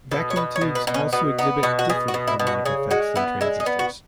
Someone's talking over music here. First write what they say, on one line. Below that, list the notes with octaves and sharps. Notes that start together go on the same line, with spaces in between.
Vacuum tubes also exhibit different harmonic effects than transistors.
B2 A4
C#5
B2 B4
C#5
B2
B4
B2
C#4
B2 B3
B3 D#4
B2 F#4
F#4
B2 G#4
F#4
B2
E4
B2
F#4
C#3 G#4
G#3 F#4
B3 E4
G#3 E4
D#4
B3
F#4